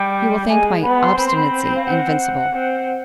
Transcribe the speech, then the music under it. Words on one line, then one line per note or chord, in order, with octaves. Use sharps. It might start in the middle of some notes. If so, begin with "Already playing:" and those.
You will think my obstinacy invincible.
Already playing: G3 G5
G#3 G#5
B3 B5
C6
C4 B5
C6
B5
F5
F#5
C4